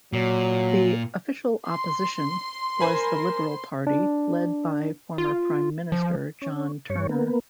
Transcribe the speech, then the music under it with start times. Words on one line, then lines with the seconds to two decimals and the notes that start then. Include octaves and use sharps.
The Official Opposition was the Liberal Party, led by former prime minister John Turner.
0.13 A#2 F#3
1.66 C6
2.81 A#4 C5 G#5 B5
3.87 D4
5.18 F4
5.92 F3
6.42 C#4
6.90 G2 C#5
7.09 A#3 B3